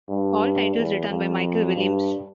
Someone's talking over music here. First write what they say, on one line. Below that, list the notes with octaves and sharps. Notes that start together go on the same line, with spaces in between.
All titles written by Michael Williams.
G2
E2
F2
G2